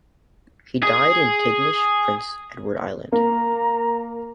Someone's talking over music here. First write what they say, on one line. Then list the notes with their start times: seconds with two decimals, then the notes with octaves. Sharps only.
He died in Tignish, Prince Edward Island.
0.83 G#4
3.12 A#3 A#5